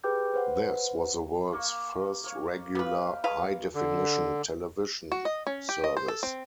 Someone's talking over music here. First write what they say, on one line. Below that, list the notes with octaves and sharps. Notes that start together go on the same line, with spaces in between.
This was the world's first regular "high-definition" television service.
G4 G#4 B4 G5 D6 G6
B4 C5 F#5
A#3 C#6
A#3 C#5
B3 G4 B4 F5
G#3 B4 F5
D3
F#4
D#5
C#4
G4
D#5
C5
A4
C4